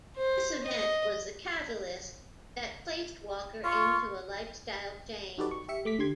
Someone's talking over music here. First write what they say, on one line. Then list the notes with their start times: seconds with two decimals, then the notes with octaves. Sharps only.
This event was the catalyst that placed Walker into a lifestyle change.
0.17 C5
0.65 D#5
3.64 F4 C#6
5.38 D#4 F#4 G4 A4 B4 D5
5.51 C#6
5.68 G4 E5 C#7
5.85 A3 D6 B6
5.99 D3 G4 C6 G#6